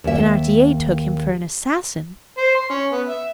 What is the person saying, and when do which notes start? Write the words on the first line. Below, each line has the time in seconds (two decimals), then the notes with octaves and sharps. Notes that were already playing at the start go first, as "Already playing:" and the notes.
Thenardier took him for an assassin.
0.04 D#2 E5
2.38 C5
2.55 C6
2.70 C#4
2.92 B3
3.07 E5